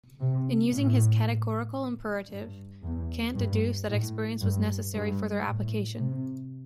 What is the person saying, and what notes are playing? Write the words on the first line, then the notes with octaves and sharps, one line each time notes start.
In using his categorical imperative Kant deduced that experience was necessary for their application.
C3
A2
G2
E2
G2
A2
G2
G2
A2
C3